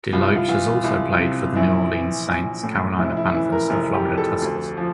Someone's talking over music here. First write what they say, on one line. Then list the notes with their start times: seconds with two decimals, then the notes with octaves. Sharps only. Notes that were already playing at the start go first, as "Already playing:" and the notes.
Deloatch has also played for the New Orleans Saints, Carolina Panthers and Florida Tuskers.
0.13 C2 F4
0.25 E4
0.36 F4
0.49 E3 F4
0.84 C2 E4
1.19 C3
1.55 A#1 E4
1.91 E3
2.28 A#1
2.63 A2
2.99 F1 E4
3.17 E4
3.34 E3 E4
3.52 A#4
3.70 F1 A#4
3.94 G4
4.06 F2
4.17 A4
4.42 D2
4.77 F3